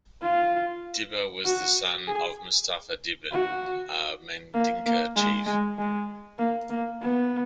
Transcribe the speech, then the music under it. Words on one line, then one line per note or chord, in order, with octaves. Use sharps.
Dibba was the son of Mustapha Dibba, a Mandinka chief.
F4
F#4
G#4
F#4
A#3
A#3
G#3
G#3
G#3
A#3
A#3
B3